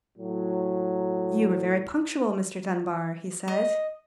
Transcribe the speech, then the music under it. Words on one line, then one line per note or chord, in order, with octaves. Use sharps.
"You are very punctual, Mr. Dunbar," he said.
A2 F#3
D#5